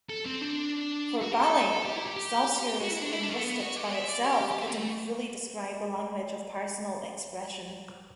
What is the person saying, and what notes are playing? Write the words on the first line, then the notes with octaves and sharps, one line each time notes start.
For Bally, Saussure's linguistics by itself couldn't fully describe the language of personal expression.
A4
C4
D4
F#4
G4
A4
G4
E4
G4
G4
F#4
E4
D4
E4
D4
G3
A3
B3
F#4
G4
E5
D5
G4
G4
G4
E4
A3